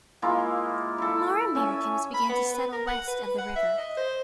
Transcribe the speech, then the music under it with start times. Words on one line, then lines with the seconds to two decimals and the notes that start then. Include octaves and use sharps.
More Americans began to settle west of the river.
0.22 G#3 A#3 E4 F4
0.98 E4 A4
1.55 C#4 E5 G#5 A5
2.14 B5
2.29 B3
2.54 B4
2.72 A#4
2.87 F#5
3.08 B4
3.23 B4
3.38 F#5
3.56 E5
3.78 D#5
3.97 C5